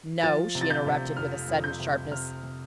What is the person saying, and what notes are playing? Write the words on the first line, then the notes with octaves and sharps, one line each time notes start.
"No," she interrupted, with a sudden sharpness.
F3 A6
C3
A6
G6
C3
F2 F6
F2
G6
C3
C3 F6
C3